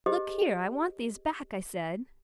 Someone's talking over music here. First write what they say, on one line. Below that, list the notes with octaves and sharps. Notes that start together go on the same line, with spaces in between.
'Look here, I want these back,' I said.
G4 G#4 C5 D#5